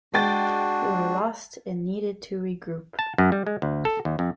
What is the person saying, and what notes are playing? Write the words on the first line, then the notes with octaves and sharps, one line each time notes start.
We were lost and needed to regroup.
G#3 D4 F#4 G5 A6
A5
F#2
G3
G#3
D2
A4
D#2
F2